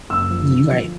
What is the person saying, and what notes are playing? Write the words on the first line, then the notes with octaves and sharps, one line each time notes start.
You right.
F#1 E6
F3
D3
F3